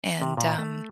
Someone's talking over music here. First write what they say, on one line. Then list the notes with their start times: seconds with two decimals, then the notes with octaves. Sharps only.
and, um,
0.22 C3
0.37 A#2
0.58 A3